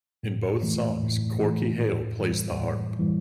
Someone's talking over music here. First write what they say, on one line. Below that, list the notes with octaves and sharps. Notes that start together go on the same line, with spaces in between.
In both songs Corky Hale plays the Harp.
A2
E3 A3
A2
E3 A3
A2
E3 G3
A2
E3 G3